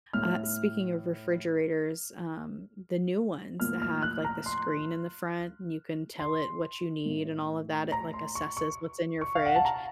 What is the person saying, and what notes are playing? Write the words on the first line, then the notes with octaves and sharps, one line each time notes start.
uh, speaking of refrigerators, um, the new ones that have, like, the screen in the front, and you can tell it what you need, and all of that, it like assesses what's in your fridge,
A2 A3 F6
A2 F3 A#3 F6
F6
F#6
A#5
C6
C6
A2 A3
A#5
C6
C#6
C#6
C#6
F5
F#5
A5
A#5